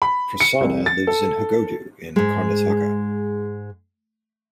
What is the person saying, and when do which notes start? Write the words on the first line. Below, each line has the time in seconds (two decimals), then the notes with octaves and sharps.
Prasanna lives in Heggodu in Karnataka.
0.02 B5
0.40 C#7
0.61 C2
0.86 A6
1.07 A4
2.16 G#2 G#3